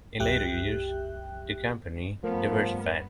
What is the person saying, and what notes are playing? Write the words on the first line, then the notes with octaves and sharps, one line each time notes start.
In later years, the company diversified.
C2 F#2 G4 E5 G5 F#6
G2 F3 A3 B3 A#4